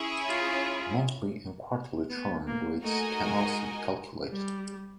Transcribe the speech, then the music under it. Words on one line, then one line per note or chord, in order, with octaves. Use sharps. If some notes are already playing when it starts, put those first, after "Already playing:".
Monthly and quarterly churn rates can also be calculated.
Already playing: C#4 E4 G#4
F4
B3
A#3
A3 D#4 F#4 A#4 D#5 G#5
G#3
G3